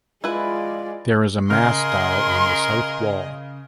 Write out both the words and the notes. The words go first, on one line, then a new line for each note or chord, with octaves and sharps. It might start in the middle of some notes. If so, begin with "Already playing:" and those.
There is a mass dial on the south wall.
G#3 E4 F4 B4 D5
C#3 G#4 A#4 D#5 C6 F6